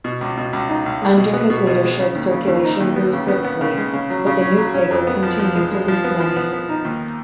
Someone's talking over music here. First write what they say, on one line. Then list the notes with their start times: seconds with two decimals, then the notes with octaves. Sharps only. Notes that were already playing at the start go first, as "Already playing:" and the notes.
Under his leadership circulation grew swiftly, but the newspaper continued to lose money.
0.04 B2
0.21 C#2
0.37 B2
0.53 C#2
0.69 D#4
0.86 C#2
1.02 G#3
1.17 B2
1.33 B3
1.50 B2
1.67 B2
1.83 G#3
1.99 C#3
2.15 D#2
2.32 C#3
2.47 D#2
2.64 D#4
2.80 D#2
2.96 B3
3.13 C#3
3.28 B3
3.45 B3
3.61 C#3
3.78 G#3
3.93 C#3
4.10 F#3
4.26 C#3
4.41 C#4
4.58 F#3
4.74 C#4
4.91 F2
5.07 B3
5.23 F3
5.39 F3
5.55 G#3
5.71 G#3
5.88 F3
6.04 B3
6.20 F3
6.36 B3
6.53 B3
6.69 D#4
6.85 D#2